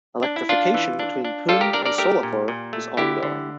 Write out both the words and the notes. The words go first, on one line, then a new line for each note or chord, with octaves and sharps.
Electrification between Pune and Solapur is ongoing.
D4
E4
D4 F4
E3
D4
D4
G3 F4 A4
G4 A#4
D4 A#4 D5
A#4 D5
A3 G4 A#4
A#2
A#2
A3
D3 E4 G4
D3